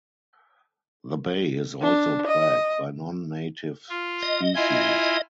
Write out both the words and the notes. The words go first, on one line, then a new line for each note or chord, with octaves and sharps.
The Bay is also plagued by non-native species.
D4
D#5
F4
D#5
E4 F4 G#5